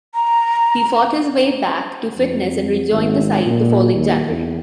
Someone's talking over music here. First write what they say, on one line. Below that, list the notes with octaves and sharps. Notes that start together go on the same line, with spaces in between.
He fought his way back to fitness and rejoined the side the following January.
A#5
F2
G#1
A#2
D#2
E2